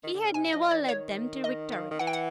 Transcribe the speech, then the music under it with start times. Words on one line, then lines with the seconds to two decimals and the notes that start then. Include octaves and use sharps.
He had never led them to victory.
0.03 D#3
0.14 D3
0.24 C#3
0.34 C3 G#5
0.52 F3 D#5
0.71 E3 D5
0.82 E3
0.88 D#3 C#5
1.44 D#5
1.72 F5
1.91 D#3
1.99 E3 F#5
2.07 G5
2.13 F#5